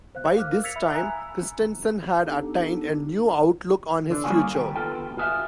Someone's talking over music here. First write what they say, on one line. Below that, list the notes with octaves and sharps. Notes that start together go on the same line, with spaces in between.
By this time, Christensen had attained a new outlook on his future.
C5 F5 F#6
A#4 F5 D6 F6 F#6
E6 G#6 A6 B6 C#7 F7
E5 B5 E6
G#5 A#5 D#6 E6 F#6
B3 D4 D#4 G4 A4
D3 D4
G3 A#3 C#4 F4 F#4 G#4
D#3 G4
B3 F4 A4 G5
F4 F#4 G#4 D5 E5 F5